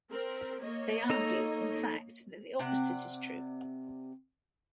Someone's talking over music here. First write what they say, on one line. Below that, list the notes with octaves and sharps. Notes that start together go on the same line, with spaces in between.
They argue, in fact, that the opposite is true.
C4 A#4
A#3 C#5 D#5
D#4 A4 A#5
C3 C4 D5 F#5